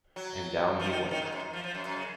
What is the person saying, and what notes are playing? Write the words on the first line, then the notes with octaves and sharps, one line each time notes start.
And down he went.
F#3
F3
D#3
D#3
G#2
F#2
F3
F3
F#2
F#2
C#3